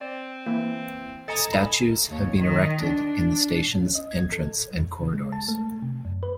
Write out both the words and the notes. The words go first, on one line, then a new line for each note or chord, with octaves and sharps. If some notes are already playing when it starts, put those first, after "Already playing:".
Statues have been erected in the station's entrance and corridors.
C4 D5
E3 A#3
A4 D#5 G#5 A#5 A6 C#7
B5
D#2 C#5
D#3
D4
C#4
D#5
G#6
A4
F2
C#3
G#3
A5
A3
C3
F#2
B4